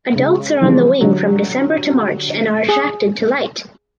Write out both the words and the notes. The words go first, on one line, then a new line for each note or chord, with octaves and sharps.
Adults are on the wing from December to March and are attracted to light.
C#3 G#3
C#3 E3 F3 G3 G#3 C4
D3 F#3 G3
G#4